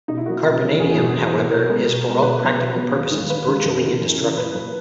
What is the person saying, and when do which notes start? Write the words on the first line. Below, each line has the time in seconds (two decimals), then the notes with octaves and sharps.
Carbonadium, however, is for all practical purposes virtually indestructible.
0.08 B2 D#4
0.17 E4
0.26 F#3 A#3 F#4
0.44 B2 E4
0.62 F#3 A#3
0.80 E2 G#4
0.97 B2 F#3 A#3
1.15 E2
1.33 B2 F#3 A#3
1.51 B2 A#4
1.69 G#3 B3
1.87 B2
2.04 G#3 B3
2.22 B2 B4
2.41 F#3 B3
2.58 B2
2.76 F#3 B3
2.94 D#2
3.12 D#3 G#3
3.29 D#2 B4
3.48 D#3 G#3
3.65 F#2 A#4
3.83 C#3 E3 A#3 A#4
4.01 F#2
4.20 C#3 E3 A#3
4.36 A#2 B4
4.55 F#3 A#3